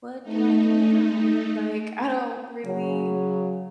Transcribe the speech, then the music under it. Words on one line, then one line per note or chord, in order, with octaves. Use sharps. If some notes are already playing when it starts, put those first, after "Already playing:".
"What do I do now? Like, I don't really"
A3 D#4
C#3 F#3